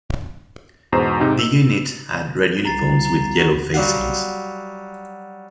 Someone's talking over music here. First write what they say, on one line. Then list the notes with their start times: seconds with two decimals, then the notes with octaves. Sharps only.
The unit had red uniforms with yellow facings.
0.92 E2 G#2 B2 C5 A#5 E7
1.20 G#2 C3 D#4
1.39 E6
2.65 C2 A#5 A6 C7
3.05 A#5
3.38 F#4
3.74 F#3 G3 F5 F#5